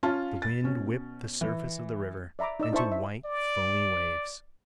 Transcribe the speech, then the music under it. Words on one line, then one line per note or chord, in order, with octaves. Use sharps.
The wind whipped the surface of the river into white foamy waves.
C#4 F4 F5 A5
A6
B2 C#4
E3
D5 E5 A#5 B5 D6
D#4 D5 E6
D4 E4 C5 E5 A5 C#6
E5
D5